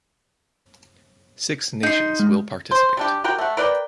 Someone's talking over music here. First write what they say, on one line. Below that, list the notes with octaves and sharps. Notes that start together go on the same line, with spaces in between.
Six nations will participate.
D#4 C6
G#3
C5
G3 D4 G4
F#4 G4 A#4 G5
A3 F#5
A#4 B4 D5 G5